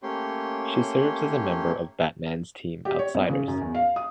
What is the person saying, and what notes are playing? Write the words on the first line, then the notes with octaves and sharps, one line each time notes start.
She serves as a member of Batman's team Outsiders.
A3 A#3 C#4 G4 C#5 C6
G4
C#5
F2
C#3
F#2
E2
F5
D#6